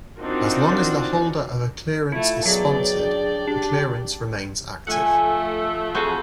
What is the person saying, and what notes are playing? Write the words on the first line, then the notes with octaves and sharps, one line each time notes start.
As long as the holder of a clearance is sponsored, the clearance remains active.
C4 D4 D#4 F4 F#4 A#4
A3 E4 F4 E5
B2 F#3 G#4 D5 G5
D4
D4 G4
F3 A3 F#5 G#5
F2 F#4 G#4 A4 C5